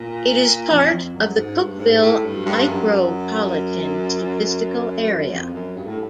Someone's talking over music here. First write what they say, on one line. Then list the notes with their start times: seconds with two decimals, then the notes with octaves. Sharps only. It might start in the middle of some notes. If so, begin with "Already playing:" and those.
It is part of the Cookeville Micropolitan Statistical Area.
Already playing: A#2
0.70 F2
0.92 F2
1.15 F#2
1.36 G#2
1.58 G2
1.80 G#2
2.02 A2
2.24 G2
2.46 G2
2.68 F#2
5.32 F2
5.54 F#2
5.76 G2
5.87 A2